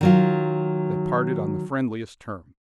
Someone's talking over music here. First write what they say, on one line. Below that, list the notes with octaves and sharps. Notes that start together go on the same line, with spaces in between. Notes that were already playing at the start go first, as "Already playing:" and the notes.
They parted on the friendliest terms.
D#3 F#3 F4